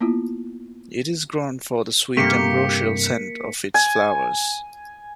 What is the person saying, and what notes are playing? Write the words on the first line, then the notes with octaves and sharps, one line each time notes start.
It is grown for the sweet ambrosial scent of its flowers.
A#3 B3 E4 F4
G2 C3 A3 A#3 G4 B6 C#7
G#5